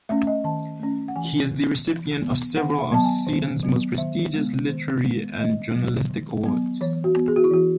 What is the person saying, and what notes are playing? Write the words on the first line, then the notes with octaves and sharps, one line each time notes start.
He is the recipient of several of Sweden's most prestigious literary and journalistic awards.
A3 C#4 E5
D#5
D#3 A5
A3 C#4
F#5
E3 G#5
B3
E3
B3
D#3 F#5
F#5
E5
F#3 B3 A5
G#5
D#3
F#3 B3
D#3 E5
G#3 B3
D#3
G#3 B3
D#3 D#5
F#3
B3
D#3
F#3 B3
E3 C#5
F#4
B3
G#4
F#4
E4
E3 F#4